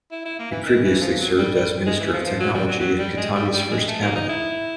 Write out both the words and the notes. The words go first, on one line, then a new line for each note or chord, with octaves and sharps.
He previously served as Minister of Technology in Khatami's first cabinet.
E4
E4
A#3
E3
D#3
E3
F3
F#3
G3
G3
G#3
E3
F3
F3
F#3
G3
F#3
F#3
G3
G#3
G3
G3
G#3
A3
A#3
D#4
E4